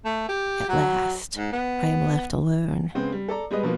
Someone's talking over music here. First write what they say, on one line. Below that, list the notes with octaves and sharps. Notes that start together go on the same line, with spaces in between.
At last I am left alone.
A3
G4
F#3
G#2
B3
C#3 G#3 B3 C4
G3
A4 D5 A#5
G3 G#3 B4 D#5
B2 F3 A#3 B3